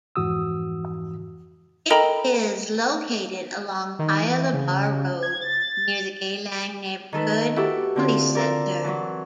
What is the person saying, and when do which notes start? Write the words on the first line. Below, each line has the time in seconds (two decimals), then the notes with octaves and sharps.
It is located along Paya Lebar Road, near the Geylang Neighbourhood Police Centre.
0.16 F2 G#2 E3 F#4 D#6 E6
1.90 A4 A#4 D#5 G5 A#5 B5
3.99 D#3
4.21 E3
4.53 C#3
5.23 G#6
5.41 A6
7.13 D#3 A4 B4
7.56 E4 F#4 G4 A4
7.96 D3 C4 F4
8.35 F4 A4 A#4 D5
8.84 E3 F#3